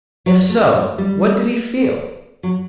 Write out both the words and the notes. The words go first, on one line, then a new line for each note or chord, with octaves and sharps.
If so, what did he feel?
F#3
A3
G3
G3
F#3